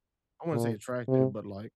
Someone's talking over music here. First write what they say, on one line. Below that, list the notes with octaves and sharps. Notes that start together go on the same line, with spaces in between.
I wouldn't say attractive, but, like
A#2
C3